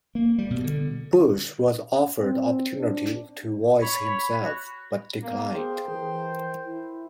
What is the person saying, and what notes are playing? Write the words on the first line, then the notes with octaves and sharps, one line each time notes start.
Bush was offered the opportunity to voice himself, but declined.
A#3
G3
B2
D3
C4
D4
C#5 B5
F#4
A#3 B3
G#4 A#4 C5 G5
E3
E4